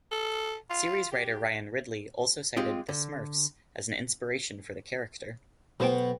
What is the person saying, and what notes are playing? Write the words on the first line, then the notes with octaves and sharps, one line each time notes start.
Series writer Ryan Ridley also cited "The Smurfs" as an inspiration for the character.
A4
F4
G4
G#3 C4 F4 G4
D3
B1 B2 B3 C5 G5